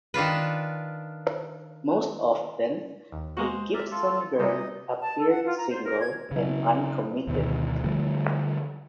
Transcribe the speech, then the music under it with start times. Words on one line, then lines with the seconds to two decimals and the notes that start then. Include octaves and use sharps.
Most often, a Gibson Girl appeared single and uncommitted.
0.14 D#3 D4 F4 B4
3.12 D#2
3.37 G#3 A#3 F#4 C5
3.74 A#4 D5 E5
3.91 F4 A4
4.39 C3 G3 D#4 D#5
5.02 A5
5.18 A4
5.30 F#5
5.44 F4
5.57 A#5
5.70 C5
5.84 A#4
6.00 G#6
6.31 C#3 F#3
7.27 D2 B2 D#3
7.84 D3 F3 G3 A3